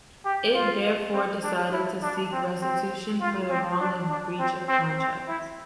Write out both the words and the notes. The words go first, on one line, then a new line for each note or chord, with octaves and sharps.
It therefore decided to seek restitution for the wrong of breach of contract.
G4
F4
C4
D4
E4
D4
C4
C4
F4
C4
D4
D4
C4
C4
C4
E4